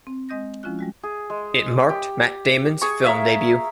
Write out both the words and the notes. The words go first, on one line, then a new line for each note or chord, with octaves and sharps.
It marked Matt Damon's film debut.
C4
G#3 C4 D#5 D#6 G6 A#6
F3 G#3 C#4 E4 F4 F#6
G3 G#3 F#4
G#4
G#3
G4
G#4 C#6
A#4 E5 F5